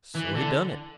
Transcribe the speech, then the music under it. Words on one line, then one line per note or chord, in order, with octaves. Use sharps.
So he done it.
E3
D3